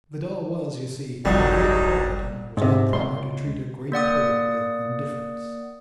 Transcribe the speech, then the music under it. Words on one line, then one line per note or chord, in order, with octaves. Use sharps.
Vidal was, you see, a great poet and it was not proper to treat a great poet with indifference.
G1 C2 F2 F#3 G3 D#4
G#2 C3
C#2 C6
A#3 D5 F#5 D#6